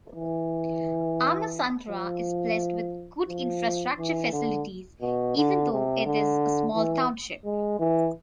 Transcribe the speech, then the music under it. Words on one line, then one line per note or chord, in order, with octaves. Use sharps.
Ammasandra is blessed with good infrastructure facilities even though it is a small township.
E3
F3
F3
E3
D3
B2
D3
C3
D3
E3
G#3
E3